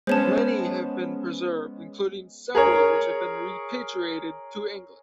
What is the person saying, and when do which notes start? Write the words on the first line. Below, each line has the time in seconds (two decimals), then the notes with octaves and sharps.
Many have been preserved, including several which have been repatriated to England.
0.07 G#3 B3 C#4 C5 C#5 A5
2.55 G#4 A#4 C#5